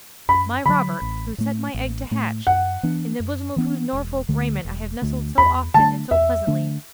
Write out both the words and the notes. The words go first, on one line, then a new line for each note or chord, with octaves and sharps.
My Robert--who set my egg to hatch--in the bosom of whose Norfolk raiment I have nestled so often and so pleasantly!
F#2 B5
D3 F#3 B5
A1
A2 A3
A1
A2 A3
F#2 F#5
E3 B3 D4
F#2
E3 B3 D4
E1
D2 D3 A3
E1
D2 D3 A3
E2 B5
D3 A3 D4 A5
E2 E5
D3 A3 D4